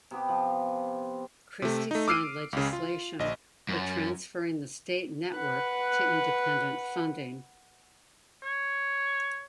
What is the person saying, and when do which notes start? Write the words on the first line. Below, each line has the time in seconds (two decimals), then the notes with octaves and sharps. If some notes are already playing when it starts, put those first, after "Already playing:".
Christie signed legislation for transferring the state network to independent funding.
0.11 C3 B3 G4
0.29 F3
1.62 C3 A3
1.91 A3 D#4
2.08 D6 E6 F6 C7 D7 D#7
2.53 C#2 C#3
2.73 F4
3.19 A#1 D#5
3.69 F#2
5.35 B4 F#5
8.43 C#5